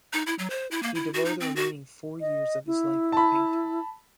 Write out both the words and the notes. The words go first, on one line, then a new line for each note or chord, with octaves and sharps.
He devoted the remaining four years of his life to painting.
D#4
E4
F#3
C5
E4
A#3
E4
F#4
D#4
C4
F#4
D#5
E4
A5 B5